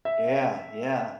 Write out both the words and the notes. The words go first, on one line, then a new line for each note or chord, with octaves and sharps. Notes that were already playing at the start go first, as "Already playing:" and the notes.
Yeah, yeah,
E5